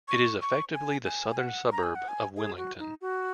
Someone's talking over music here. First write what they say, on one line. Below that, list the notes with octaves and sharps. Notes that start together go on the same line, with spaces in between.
It is effectively the southern suburb of Willington.
C#6
C#6
G#5
G#5
G#5
F#5
A#5
G#5
F#5
G#5
G#4
F#4
D#4
F#4